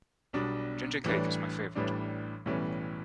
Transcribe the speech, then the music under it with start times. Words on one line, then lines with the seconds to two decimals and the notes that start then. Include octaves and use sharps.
Ginger cake is my favourite.
0.33 B1 B2 G3 D4
1.04 A1 A2 E3 G3 D4
1.75 A1 A2 E3 G3 D4
2.46 B1 A2 E3 G3 C#4